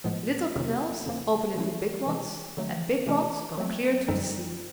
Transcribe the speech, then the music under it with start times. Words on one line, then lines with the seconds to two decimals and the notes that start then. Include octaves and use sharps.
Little canals open into big ones, and big ones go clear to the sea.
0.04 A2 F3 G#3 B3
0.55 F2 C3 D#3 F#3
1.06 F2 C#3 F3 A#3
1.56 E3 A3 C#4 E4
2.06 C3 E3 G#3 C4
2.57 D3 F#3 A3
3.06 C3 E3 A3 C#4
3.58 F#3 A3 C4
4.08 F#2 D3 G3 C4 D#4